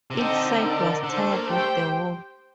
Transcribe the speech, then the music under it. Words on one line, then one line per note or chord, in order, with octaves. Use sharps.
Each side was tired of the war.
C3
D3 C4 D#4 A4 D#5 G5
D#4 A#4 D5
D3 D4 A4 C5
A3
A#3
A3 G4 C5 G5
A3